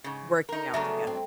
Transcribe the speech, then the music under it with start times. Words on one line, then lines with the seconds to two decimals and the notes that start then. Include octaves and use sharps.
working out together.
0.04 G#2 C#3
0.49 D#4 A#4
0.74 C#3 F#3 A3 B3 D4 A#4 E5 A#5
1.07 C4